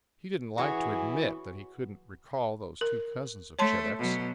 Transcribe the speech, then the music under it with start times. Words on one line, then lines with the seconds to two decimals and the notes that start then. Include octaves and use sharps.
He didn't like to admit that he couldn't recall those two cousins of Chebec's.
0.58 E3 F#4 G#4 C#5
2.81 A#4
3.59 A3 C#5 A5 C6
3.99 B2 F#3